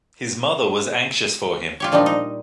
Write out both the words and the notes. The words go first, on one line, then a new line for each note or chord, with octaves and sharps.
His mother was anxious for him.
F4 G4 C#5
A#2 F3 G3 D4 D#4
D#4